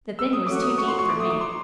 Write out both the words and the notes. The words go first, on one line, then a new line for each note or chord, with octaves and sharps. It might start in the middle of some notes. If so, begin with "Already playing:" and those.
The thing was too deep for me.
E6
D#6
E3 A3 C#4 F#4 D6
D#6
F3 A3 C#4 F#4 C#6
C6
C#6
A#2 F3 A3 D6
D#6
D6
C6